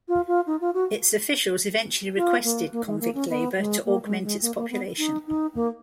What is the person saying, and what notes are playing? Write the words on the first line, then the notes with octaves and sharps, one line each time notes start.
Its officials eventually requested convict labour to augment its population.
F4
F4
D#4
F4
F#4
F4
A#3
A#3
G#3
A#3
C#4
B3
G#3
A#3
G#3
G#3
A#3
A#3
B3
D#4
D#4
A#3